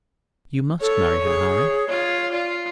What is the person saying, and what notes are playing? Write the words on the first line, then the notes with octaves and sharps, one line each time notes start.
"You must marry her, Harry."
A4 C#5
G#4
F4 C#5
F4 D5